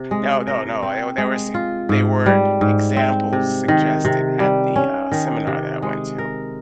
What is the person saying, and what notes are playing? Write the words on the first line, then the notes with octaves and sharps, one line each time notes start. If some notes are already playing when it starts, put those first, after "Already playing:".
No, no, no, I oh, there were some they were examples suggested at the, uh, seminar that I went to,
Already playing: C3
G#3
A#4
C4
G#3
F4
G#2
G3
G#2
C4
C3
D#3
C3
G3
C#4
D#3
C3
G#3
A#4